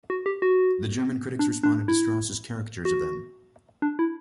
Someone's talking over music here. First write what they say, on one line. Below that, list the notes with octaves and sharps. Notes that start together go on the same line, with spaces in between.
The German critics responded to Strauss's caricatures of them.
F#4
G4
F#4
D4
D4
E4
F#4
D4
E4